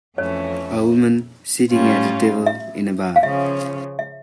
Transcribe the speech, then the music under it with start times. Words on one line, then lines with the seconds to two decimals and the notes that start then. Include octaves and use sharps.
A woman sitting at a table in a bar.
0.18 F2 E3 A3 C#4 C#5
1.70 A2 G3 C#4 F4
2.46 E5
3.16 F5
3.23 C#3 F3 C#4 E5
3.99 E5